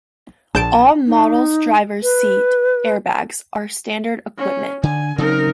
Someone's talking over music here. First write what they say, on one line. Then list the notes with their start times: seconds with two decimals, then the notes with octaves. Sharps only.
All models driver's seat airbags are standard equipment.
0.55 A#1 A5 G6 D7
1.07 D#4
2.03 B4
4.37 C#4
4.83 D3 G#5
5.18 C#3 F#3 C4 D#4 A#4